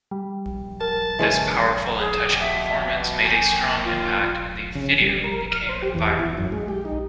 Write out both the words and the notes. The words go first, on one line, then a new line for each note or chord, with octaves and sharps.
This powerful and touching performance made a strong impact and the video became viral.
G3
A#4 A5
C#3 E3 G#3 C#4
G#4
B2 G4
E5
B2
A#3 G5 G#5
F4
C#3
G3
A#4
F6
C5
G4
E2
E4
F#2
G#3
G4
D#4